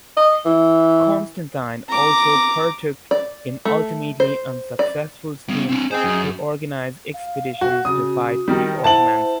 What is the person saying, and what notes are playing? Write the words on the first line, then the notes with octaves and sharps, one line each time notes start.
Constantine also partook in ultimately unsuccessful schemes to organize expeditions to fight the Ottomans.
D#5
E3
A#5 D6
D5
A3
C5
D5
G3 B3
C4 D4
D#4 G#4 C5 G5
F#2
F5
F#4
C#3 F#4 D#6
D#3 G3 D#4 A#5
E4 C5 F#5 A5 F#7